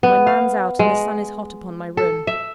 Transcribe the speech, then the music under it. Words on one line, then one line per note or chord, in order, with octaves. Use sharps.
My man's out, and the sun is hot upon my room.
B3
F5
G#3
A4
E5